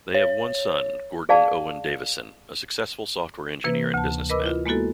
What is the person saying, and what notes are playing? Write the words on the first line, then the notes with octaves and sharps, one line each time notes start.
They have one son, Gordon Owen Davisson, a successful software engineer and businessman.
C#5
G#4 D5 F5 A5
C3 E3 A#3 B4
D2 A5
A#4 B4 D#5 B5 D6 E6
E4 F4
G#3 A#3 B3 E4 F#4 A4